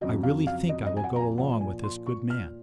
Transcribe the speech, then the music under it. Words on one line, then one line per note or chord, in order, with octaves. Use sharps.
I really think I will go along with this good man.
F2 C#3 F#3 D#5
F5
F5
D#5
D#5
G#5
F#5
A#5
G#5
A#2 F3 F#5
G#5
C6
C#6
F6